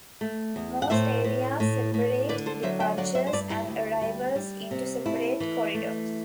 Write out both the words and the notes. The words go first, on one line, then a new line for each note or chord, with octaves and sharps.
Most areas separate departures and arrivals into separate corridors.
A3
E2
F#5
A2 C5 E5
A2
A2
A2
D3 B4 D5
A4 C5
F#3 C5 E5
E5 G5
F#3 D5 F#5
C5 E5
C5
G2 B4 D5
E4 G4
D2
G3
G3
C3
A3 E4
E3
A3